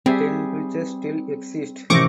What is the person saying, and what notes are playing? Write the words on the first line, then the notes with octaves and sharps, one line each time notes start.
Ten bridges still exist.
G3 C4 G#4 E5
A1 C3 D#3 C4 C#6 D6 A#6